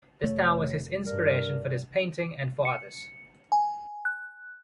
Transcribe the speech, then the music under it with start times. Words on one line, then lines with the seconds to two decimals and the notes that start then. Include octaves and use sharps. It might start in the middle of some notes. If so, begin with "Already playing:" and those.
This town was his inspiration for this painting and for others.
0.24 F1 A3 C#5
1.06 G2 A#4 D5
2.65 C#7
3.52 G#5
4.05 F#6